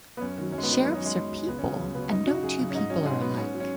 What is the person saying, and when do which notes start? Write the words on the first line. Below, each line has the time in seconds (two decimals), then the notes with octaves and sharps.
Sheriffs are people and no two people are alike.
0.17 B3
0.21 F#2 C#4
0.37 D#3 F#3
0.52 F#2 C#4
0.58 G#3
0.63 B3
0.69 D#3 F#3 G#3
0.85 F#2 B3
0.90 D#4
0.95 C#4
1.00 F#3
1.06 G#3
1.16 F#2
1.31 F#3
1.48 C#2 B3
1.58 C#4
1.64 C#3 F#3
1.80 C#2
1.95 C#3 F#3 B3
2.02 C#4
2.11 F#2 D#4
2.26 C#3 F#3 F#4
2.43 F#2 G#4
2.59 C#3 F#3
2.70 C#4
2.74 G#2 D#4
2.90 F#3 C#4
3.05 G#2 G#3
3.21 F#3 B3
3.37 G#2 C#4
3.54 F#3
3.60 C#4